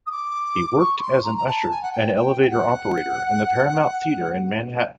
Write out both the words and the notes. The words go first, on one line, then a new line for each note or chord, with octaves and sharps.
He worked as an usher and elevator operator in the Paramount Theater in Manhattan.
D#6
D6
C#6
B5
C6
A#5
A#5
A5
G#5
F#5
G5
G5
G5
F#5